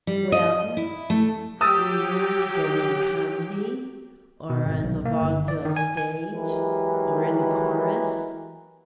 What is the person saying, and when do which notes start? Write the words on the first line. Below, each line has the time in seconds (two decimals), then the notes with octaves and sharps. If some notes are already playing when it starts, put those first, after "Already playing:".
"Well, do you want to get in a comedy or on the vaudeville stage or in the chorus?"
0.07 G3
0.32 D#5
0.77 E4
1.10 A3
1.61 F#3 G4 D#6 E6 A6
4.50 B2
4.65 G#1
4.83 B1
5.05 A#3
5.22 G1
5.48 D5
5.65 D#3
5.76 G#5
5.97 G#5
6.33 E3 F#3 G#3 G4 A#4